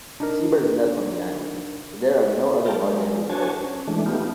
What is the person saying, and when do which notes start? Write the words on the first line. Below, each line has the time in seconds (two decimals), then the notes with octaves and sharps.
Seabirds nest on the island, but there are no other large animals present.
0.20 D4 D#4 A#4
2.66 F5 G5 A5 A#5
2.83 G#3
3.30 D4 F#4 C5 C#5 G#5 A5
3.64 C#4
3.87 E3 G#3 A3 D4
4.06 A3 B3 D#4 F4 G4